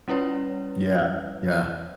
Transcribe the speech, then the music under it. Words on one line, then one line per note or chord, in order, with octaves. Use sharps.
Yeah, yeah.
G3 C#4 E4 B4 C#5